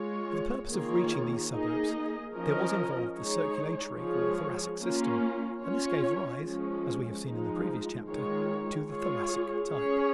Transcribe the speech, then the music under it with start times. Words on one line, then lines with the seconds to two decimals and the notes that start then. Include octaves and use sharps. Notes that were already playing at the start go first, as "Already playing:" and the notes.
For the purpose of reaching these suburbs there was involved the circulatory or Thoracic system, and this gave rise, as we have seen in the previous chapter, to the Thoracic type.
Already playing: G#3 F4 C#5
0.69 D#3 A#3 F4 G#4 C#5
1.51 A#3 D#4 G#4 D#5
2.33 F3 C#4 A#4 D#5
3.14 G#3 D#4 G#4 C#5
3.96 F3 G#3 F4 G#4 C#5
4.79 A#3 C#4 F4
5.60 C#4 F4 C#5
6.43 F3 G#3 C#4
7.25 F3 G#3 D#4
8.06 D#3 G#3 F4 C#5
8.88 G#3 F4 G#4 C#5
9.70 C#4 G#4 C#5